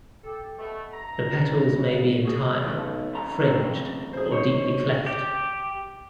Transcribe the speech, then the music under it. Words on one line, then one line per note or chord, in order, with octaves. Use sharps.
The petals may be entire, fringed or deeply cleft.
G4 A4
B2 A3
G2 A#5
C#3
C#3 G3 G#3
F#4 G#4
B1 A3
F2 C#3 A#5
C4
G#4 C5
D#4 C5 C#5
G4